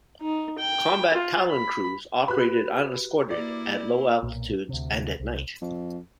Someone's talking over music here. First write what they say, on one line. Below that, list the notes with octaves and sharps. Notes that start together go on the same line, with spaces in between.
Combat Talon crews operated unescorted at low altitudes and at night.
D#4
G5
F4
B5
F#4 G4 B4 B5 F#6
A#3 E4 D5
B1 A#2
D2 C3
C2
F2